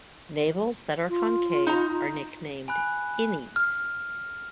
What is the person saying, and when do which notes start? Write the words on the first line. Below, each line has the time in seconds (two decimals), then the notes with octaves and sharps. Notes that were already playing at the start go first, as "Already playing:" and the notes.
Navels that are concave are nicknamed "innies".
1.09 F4
1.67 D#4 A#5
2.68 G#5 B5 F#6
3.56 F6